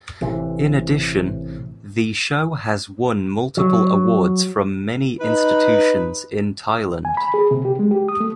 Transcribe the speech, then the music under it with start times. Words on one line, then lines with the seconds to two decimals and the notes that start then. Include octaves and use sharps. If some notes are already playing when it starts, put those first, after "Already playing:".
In addition, the show has won multiple awards from many institutions in Thailand.
0.21 A1 C3 E3
3.57 F#3
5.20 D#4 B4
7.05 G#5
7.17 B5
7.34 G#4
7.51 C3
7.65 G4
7.79 G#3
7.91 G4
8.08 D#6
8.20 A3